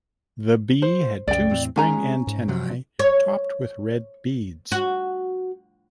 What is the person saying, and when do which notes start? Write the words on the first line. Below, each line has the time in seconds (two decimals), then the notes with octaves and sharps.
The bee had two spring antennae topped with red beads.
0.82 C5
1.28 C2 F#2 C#3 D5 G5
1.50 E2 A2 C4
1.76 G#3 C#4 G#5 A#5
2.27 G#2
2.48 C3 F3 F#3
2.99 C#5
4.72 F#4